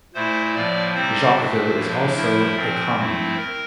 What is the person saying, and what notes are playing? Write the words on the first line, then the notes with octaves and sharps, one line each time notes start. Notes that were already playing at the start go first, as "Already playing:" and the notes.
Jacqueville is also a commune.
A#2 A3 E4 C5
A2 F3 A#3 D5
C3 G3 C4 C5
A#2 A3 D4
A2 F3 A#3 D4
F3 A3 E4 A#4
A#2 F3 C4
F3 A3 C4 E4
A#4